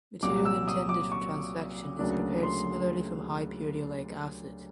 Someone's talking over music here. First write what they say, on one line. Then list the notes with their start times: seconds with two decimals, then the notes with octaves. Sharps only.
Material intended for transfection is prepared similarly from high purity oleic acid.
0.23 C2 A#2 F#3 D6
0.45 E6
0.68 D#6
0.89 D6
1.12 C#6
1.99 D2 C#3 F#3 A#3 D4
2.43 C6